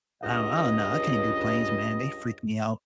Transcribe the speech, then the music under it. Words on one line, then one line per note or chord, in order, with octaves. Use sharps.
I don't I don't know. I can't do planes, man. They freak me out.
C#2 G2 D#5